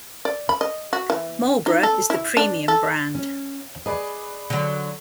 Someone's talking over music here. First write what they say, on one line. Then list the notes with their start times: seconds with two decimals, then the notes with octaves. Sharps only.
Marlboro is the premium brand.
0.25 D5
0.49 B5
0.61 D#5
0.93 F#4
1.10 E3
1.66 D#4
1.83 A4
2.10 E4
2.37 D4
2.68 A4
3.15 C#4
3.86 G#4 B4 D5 D#5
4.50 D3 F#3